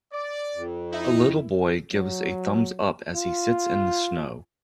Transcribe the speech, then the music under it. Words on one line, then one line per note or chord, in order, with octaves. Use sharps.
A little boy gives a thumbs up as he sits in the snow.
D5
F2
D#4 E4 E5
F#3
F4